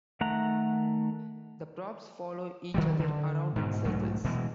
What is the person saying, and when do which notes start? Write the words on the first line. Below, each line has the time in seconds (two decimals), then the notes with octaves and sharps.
The props follow each other around in circles.
0.21 D#3 A3 F#5 A#5
2.74 D#3 F#3 G3
2.99 D3
3.56 G#2 B2
3.84 B1 G#2 F#3 A3
4.24 B2 E3 F#3 G#3